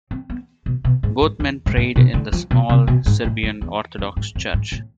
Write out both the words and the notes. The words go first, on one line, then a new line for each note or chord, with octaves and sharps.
Both men prayed in the small Serbian Orthodox church.
C4
B3
B2
B2
G#2
G#2
E2
G#2
A2
B2
D3
F3
B2
C3
B2
G#2
A2
G#2
E2
F2
G#2
F2
G#2
A2